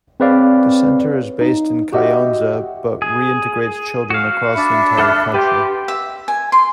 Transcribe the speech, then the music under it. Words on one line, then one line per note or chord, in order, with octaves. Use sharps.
The centre is based in Kayonza but reintegrates children across the entire country.
C4 G#4 B4 C#5 D5 F5
D#4
F#4 G4 D#5 E5 F#5
G#4
F#4 F5
D4 E5 B5
A4 F#5 F6
G4 B4 C6
E5
G#5
C6